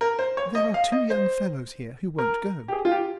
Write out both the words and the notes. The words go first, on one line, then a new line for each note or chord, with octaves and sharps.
"There are two young fellows here who won't go."
A#4
C5
C#5
D#5
F5
D#5
C5
A#4
G4
G#4
F4
G4